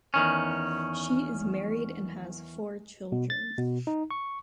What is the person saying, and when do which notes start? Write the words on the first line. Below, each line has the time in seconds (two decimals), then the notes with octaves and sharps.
She is married and has four children.
0.14 E2 D#3 C#4
3.12 B2
3.30 A6
3.58 B2
3.87 D#4
4.11 C#6